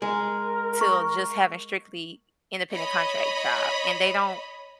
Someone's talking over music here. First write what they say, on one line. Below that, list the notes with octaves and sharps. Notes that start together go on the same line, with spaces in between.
to just having strictly independent contract job, and they don't
G#3 A#4
C#6
C#5 D#5 B5